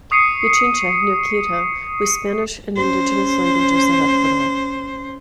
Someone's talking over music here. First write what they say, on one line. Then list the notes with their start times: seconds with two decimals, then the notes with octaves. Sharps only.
Pichincha, near Quito, with Spanish and indigenous languages of Ecuador.
0.11 C#6 D#6 C7 C#7 D#7
2.77 C#4 C5